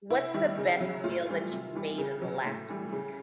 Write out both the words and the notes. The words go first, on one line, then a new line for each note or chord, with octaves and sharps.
What's the best meal that you've made in the last week
C3 E4
D#3 G3
C#3
F#3
A2 F4
E3 G3
C3
E3 G3
C#3
F#3
A2
E3 G3
C#3